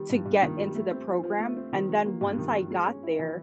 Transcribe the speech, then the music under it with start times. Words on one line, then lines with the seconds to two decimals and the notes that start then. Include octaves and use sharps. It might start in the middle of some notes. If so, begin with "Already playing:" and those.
to get into the program, and then once I got there,
Already playing: D#3 G3
0.10 G2
0.26 G2
0.43 D#3
0.59 G3
0.75 A3
0.91 C4
1.08 F3
1.23 F3
1.40 A3
1.57 C4
1.73 D#3
1.89 F#3
2.06 A#3
2.21 G2
2.38 D#3
2.54 F#3
2.71 G#3
2.87 C#4
3.03 E4
3.19 E3